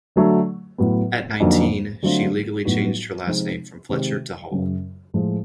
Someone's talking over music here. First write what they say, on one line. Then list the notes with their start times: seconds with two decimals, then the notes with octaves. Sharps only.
At nineteen, she legally changed her last name from Fletcher to Hall.
0.16 D3 F#3 A3
0.78 A2 F#3 B3
1.40 F2 D3 F#3 A#3 D#4
2.02 D3 F#3 A3 C4 F4
2.65 A2 F#3 B3 D#4 F#4
3.27 C3 F3 G#3 C4 D#4
3.89 C3 D#3 G#3 C4
4.51 F#2 C#3 F#3
5.14 A2 F3 G#3